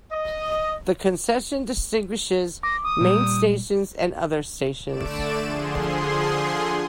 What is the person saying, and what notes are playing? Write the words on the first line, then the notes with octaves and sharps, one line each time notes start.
The concession distinguishes main stations and other stations.
D#5
D6 A#6
D#6
A#2 G3
D3 A3 D5 D7 E7
D3 F3 G#4 C6